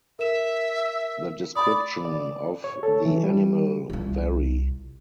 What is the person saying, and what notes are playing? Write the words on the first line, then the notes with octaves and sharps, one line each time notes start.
The description of the animal vary.
A#4 E5 E7
D5 B5 D#6
D5
C#5
A4
E3
G3
C2 F4